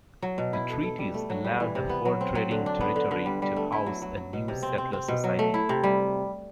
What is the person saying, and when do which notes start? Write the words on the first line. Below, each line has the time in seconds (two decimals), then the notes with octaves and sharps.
The treaties allowed the fur trading territory to house a new settler society.
0.22 F#3
0.38 B2
0.53 E4
0.69 A4
0.83 A4
0.98 G3
1.14 A3
1.30 F#3
1.44 G3
1.60 E3
1.75 C3
1.89 B3
2.05 F#3
2.21 C4
2.35 F#3
2.51 D3
2.66 D4
2.81 B3
2.96 D3
3.11 D3
3.26 G3
3.42 G3
3.56 A3
3.72 E4
3.86 F#3
4.02 F#3
4.17 F#3
4.33 B2
4.48 C3
4.63 C4
4.78 C4
4.93 C4
5.08 B2
5.24 F#3
5.39 A3
5.54 E4
5.69 C3
5.84 G3